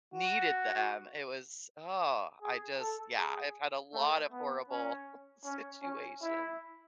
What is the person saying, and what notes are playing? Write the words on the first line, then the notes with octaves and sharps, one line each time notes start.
needed them, it was, oh, I just yeah, I've had a lot of horrible situations.
F#4
G#4
A4
G#4
A3
B3
C#4
C#4
C#4
E4